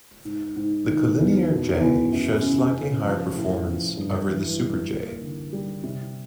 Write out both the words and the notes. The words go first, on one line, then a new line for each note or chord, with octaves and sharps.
The Collinear J shows slightly higher performance over the Super-J.
G#2
G#2
D#3
E2
B2
E2
F#2
C#3
C#3
F3
A2
F3
G2
E3
G3
A#3
D3
G3
C3